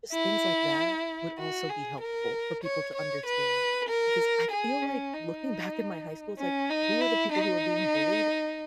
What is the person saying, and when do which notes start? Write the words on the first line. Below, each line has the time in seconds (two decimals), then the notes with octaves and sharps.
just things like that would also be helpful for people to understand, because I feel like, looking back in my high school, it's like, who are the people who are being bullied?
0.13 E4
1.38 F#4
1.70 G#4
2.01 A#4
2.63 C#5
2.95 C#5
3.26 B4
3.88 A#4
4.51 G#4
4.82 C#4
5.14 D#4
6.38 C#4
6.70 D#4
7.01 E4
7.32 D#4